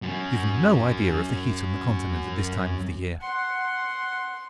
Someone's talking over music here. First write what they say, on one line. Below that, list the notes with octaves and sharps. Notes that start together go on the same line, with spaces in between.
You've no idea of the heat on the Continent at this time of the year.
F#2 F#3
F#5 C6